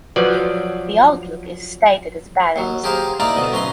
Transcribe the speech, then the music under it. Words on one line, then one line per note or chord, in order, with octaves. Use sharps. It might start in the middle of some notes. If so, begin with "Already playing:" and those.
The outlook is stated as balanced.
F3 F#3 B4 D5
D#2 F#3
G4 G#4 A#4 C5 F5
A#3 D#4 E4 D5 F5 A#5
D2 B2 D#5
B1 C#4 B4 A#5 C6